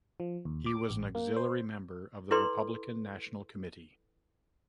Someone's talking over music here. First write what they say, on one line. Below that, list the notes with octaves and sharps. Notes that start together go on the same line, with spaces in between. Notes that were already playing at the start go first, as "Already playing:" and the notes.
He was an auxiliary member of the Republican National Committee.
F3
D#2
D6
A1
A#3
C5
E4 A4 B4 D5 C6